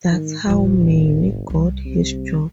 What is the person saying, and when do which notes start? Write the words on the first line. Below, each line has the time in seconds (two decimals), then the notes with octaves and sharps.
That's how Manny got his job.
0.11 G#2 D#3
0.46 D#1 A1 F3
0.79 G1
1.50 C2 G3
1.85 C3